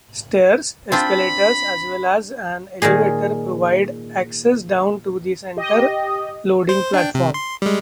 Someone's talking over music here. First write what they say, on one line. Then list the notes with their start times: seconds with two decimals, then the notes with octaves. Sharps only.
Stairs, escalators, as well as an elevator provide access down to the centre-loading platform.
0.92 C4 D4 F4 B5
2.82 A#2 D#3 D#4 G#4
5.57 G4 D#5
6.69 C5
6.94 D4 G5
7.15 C3
7.34 C6
7.62 G3 G#3